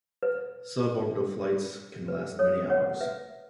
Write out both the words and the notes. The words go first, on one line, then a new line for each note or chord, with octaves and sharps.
Sub-orbital flights can last many hours.
B4
B4
A4 C#5
C#5 F#5
B4 E5